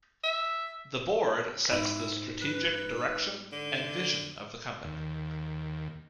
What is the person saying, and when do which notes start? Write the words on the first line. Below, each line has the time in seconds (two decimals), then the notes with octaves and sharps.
The Board sets the strategic direction and vision of the company.
0.24 E5
1.71 G#2 E4 F7
2.42 B4
3.52 D3
4.84 D#2